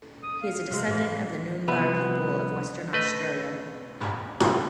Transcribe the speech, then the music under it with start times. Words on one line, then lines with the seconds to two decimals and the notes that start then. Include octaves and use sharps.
He is a descendant of the Noongar people of Western Australia.
0.23 D#6
0.42 F5
0.71 C3 G#3
0.86 A2 E3
1.67 C2 F3 B3 E5 B5
2.93 A3 B4 D#5